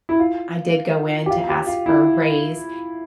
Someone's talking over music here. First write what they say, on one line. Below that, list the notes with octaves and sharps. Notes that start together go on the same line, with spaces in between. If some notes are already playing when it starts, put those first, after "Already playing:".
I did go in to ask for a raise,
E4
F4
G4
F4
G4
F4
E4